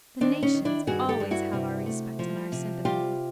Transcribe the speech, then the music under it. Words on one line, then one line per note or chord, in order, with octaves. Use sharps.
The nations always have our respect and our sympathy.
D#3 C4 D4
C#4 D#4
D#3
D4 E4
G2 F#4 G#4
G4 A4
G2
E4 F#4
C3
A3
F3
C3
G3 F4 G4